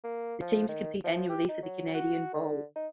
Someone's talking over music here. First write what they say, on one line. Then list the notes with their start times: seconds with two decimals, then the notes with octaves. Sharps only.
The teams compete annually for the Canadian Bowl.
0.04 A#3
0.41 F3
0.69 D#3
1.04 F3
1.29 G4
1.49 D#4
1.62 F#3
1.94 F#4
2.34 D3
2.76 D#4